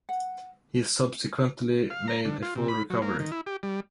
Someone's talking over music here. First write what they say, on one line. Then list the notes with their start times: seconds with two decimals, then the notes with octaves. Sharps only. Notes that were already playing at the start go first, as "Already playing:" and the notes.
He subsequently made a full recovery.
0.09 F#5
1.90 F5
2.08 A#5
2.25 D3
2.43 F4
2.55 C3
2.68 B5
2.90 F#3
3.02 A#3
3.20 D#3
3.32 E4
3.47 G4
3.63 G3